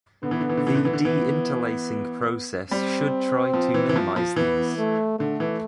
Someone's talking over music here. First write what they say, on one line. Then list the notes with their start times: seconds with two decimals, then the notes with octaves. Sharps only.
The deinterlacing process should try to minimize these.
0.23 D3 B3
0.31 E3
0.40 D3
0.49 E3
0.57 D3
0.67 E3
0.75 D3
0.85 E3
0.93 D3
1.05 E3 B3
2.71 G3 C4
3.54 F3
3.74 E3
3.89 E3
3.96 F3
4.16 F3
4.36 E3 B3
4.78 A3
5.19 D3 A3
5.40 E3